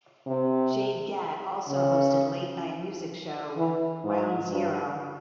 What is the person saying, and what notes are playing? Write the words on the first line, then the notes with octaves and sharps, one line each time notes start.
Jade Gatt also hosted late night music show "Ground Zero".
C3
C#3
E3
G#2
G2